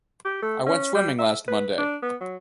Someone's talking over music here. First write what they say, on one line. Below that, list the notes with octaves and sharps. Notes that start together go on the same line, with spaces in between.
I went swimming last Monday.
G4
A3
C#4
G3
E5
B4
D4
B3
F#3